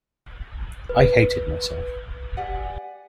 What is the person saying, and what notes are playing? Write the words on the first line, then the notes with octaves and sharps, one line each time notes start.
I hated myself.
B4
G4 D5 F#5 G#5